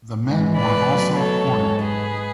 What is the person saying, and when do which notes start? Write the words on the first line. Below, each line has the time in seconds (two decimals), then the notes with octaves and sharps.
The men were also quartered.
0.25 G#2 E3 G#3
0.56 B4 D5
0.87 B2 F#3 A3
1.18 A4 C#5
1.50 G#2 G#3
1.81 G#4 B4